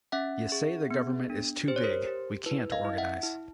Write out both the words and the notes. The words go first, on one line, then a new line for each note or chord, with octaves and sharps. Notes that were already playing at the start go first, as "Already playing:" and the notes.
You say the government is too big; we can't organize.
C#4 E5 F#5
G#4
B3
D4
G4 C5
C#5
A#4 C5
G4
E4 B4
D#5 F5
E4
E5 F#5
E4